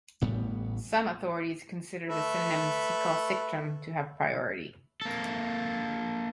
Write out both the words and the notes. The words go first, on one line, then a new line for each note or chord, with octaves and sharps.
Some authorities consider the synonym Secale strictum to have priority.
A1 A2 G3 B3
A3 B4 E5
A#3 A4